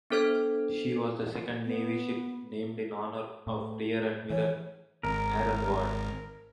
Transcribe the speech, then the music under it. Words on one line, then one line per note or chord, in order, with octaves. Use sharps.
She was the second Navy ship named in honor of Rear Admiral Aaron Ward.
B3 D4 A4 C5 F6 G#6
B3
A2
E3 C#5
G#1 A#4